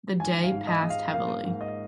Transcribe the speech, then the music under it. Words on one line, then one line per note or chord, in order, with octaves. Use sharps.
The day passed heavily.
G#1 G#5
F5
G#2
D#5
G#3
F5
A#3 F5
G#2
D#5